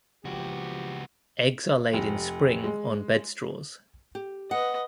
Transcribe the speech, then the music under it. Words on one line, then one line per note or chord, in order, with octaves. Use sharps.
Eggs are laid in spring on bedstraws.
C#2 F3 B3 F#4 G4
F1
G#3
G4
B4 D#5 F#5